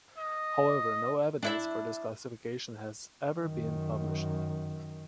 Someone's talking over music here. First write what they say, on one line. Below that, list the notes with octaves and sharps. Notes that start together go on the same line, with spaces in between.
However, no evidence for this classification has ever been published.
D#5
D4 E4 E5
F#2 D#3